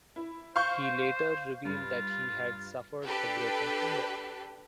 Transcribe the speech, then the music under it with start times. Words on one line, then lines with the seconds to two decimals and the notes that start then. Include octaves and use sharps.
He later revealed that he had suffered a broken finger.
0.16 E4
0.56 C5 F5 C#6 G6
1.65 G2 F4
3.05 D4 G4 A4 B4